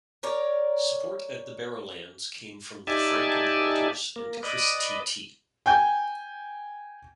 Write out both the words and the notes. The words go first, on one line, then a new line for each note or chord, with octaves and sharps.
Support at The Barrowlands came from The Frank and Walters and Chris T-T.
A#4 C#5 D5
D#4 G4 D5 E5 G#5 A5
A#3
B4 D5 D#5
G5 G#5 G6